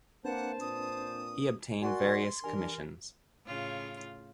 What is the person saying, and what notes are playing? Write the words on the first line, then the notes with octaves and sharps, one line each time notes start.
He obtained various commissions.
A#3 C4 D4 B4 C5 F#5 A5
A#2 D#6
F#4 A#4 D5 G#5 C6
E3 D4 G4 A#4 G#5
A2 C#3 F4